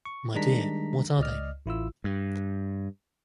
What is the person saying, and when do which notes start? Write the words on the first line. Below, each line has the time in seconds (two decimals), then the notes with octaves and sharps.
My dear, what are they?
0.05 C#6
0.35 D#3 G3 G#3 D4 A#5 B6
1.19 C#2 D5 D#5 F6
1.66 A1 E4 F4 E6
2.04 G2